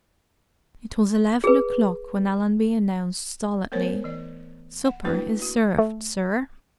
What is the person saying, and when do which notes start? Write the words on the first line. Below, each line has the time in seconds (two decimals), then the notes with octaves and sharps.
It was eleven o'clock when Allenby announced stolidly, "Supper is served, sir!"
1.44 G#4 B4
3.72 A3 B3 A#4 C5 C#5
4.04 E3 D5
4.86 F#5
5.04 A3 A#3 D4 E4 F#4 B4
5.42 F#4
5.78 A3